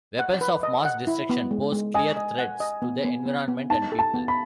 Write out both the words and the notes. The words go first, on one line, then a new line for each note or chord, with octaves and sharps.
Weapons of mass destruction pose clear threats to the environment and people.
F#5
B4
D#5
F#5
E4
B3
G#3
G#3
D#5 G#5
D#5
F#5
D#5
B3
B3
B3
B3
D#4 A5
A4
A5
B3
B5